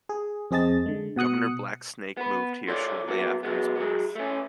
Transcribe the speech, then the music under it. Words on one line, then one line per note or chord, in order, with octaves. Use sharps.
Governor Blacksnake moved here shortly after his birth.
G#4
F2 C4 G#4 D#5 A5 A6
D3 G#3
B2 F#5 D#6 F#6 C#7
B3 B4
F4 A4 C#5 D5
F#3 A#3 B3
F#3 G#3 B3
F#3 G#3
A3 C#4